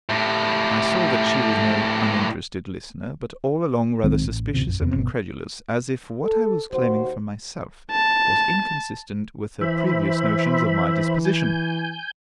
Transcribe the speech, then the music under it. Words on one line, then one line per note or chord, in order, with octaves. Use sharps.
I saw that she was no uninterested listener, but all along rather suspicious and incredulous, as if what I was claiming for myself was inconsistent with her previous notions of my disposition.
A2 G3
B1 D#3 G#3 C4
A1
A1 D2 C3
A#1 F#2
E1 F2 D3 B3
G1 B2
A4
D#2 F#4 C5
A5
E3 C5 E5 B5
G#5 G6